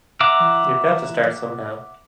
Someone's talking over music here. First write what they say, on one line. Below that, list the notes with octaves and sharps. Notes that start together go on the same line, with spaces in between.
You've got to start somehow.
E5 F#5 A#5 D6